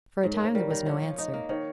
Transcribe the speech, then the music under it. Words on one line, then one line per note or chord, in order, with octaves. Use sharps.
For a time there was no answer.
G#2 C#5
A#4
A#3 C#5
G3 A#4
D#3
F3 C#5
F3
D#4 D#5
A#3
D#3 C#5